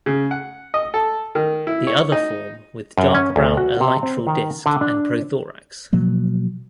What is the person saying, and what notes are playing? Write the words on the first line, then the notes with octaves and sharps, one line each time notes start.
The other form with dark brown elytral disc and prothorax.
C#3
F#5
D#5
A4
D#3
E4
C#5
D#4
F#2
C#4
D2
F#4
C3
C4
D#3
D3
D4
B2 F3 F#3 A#3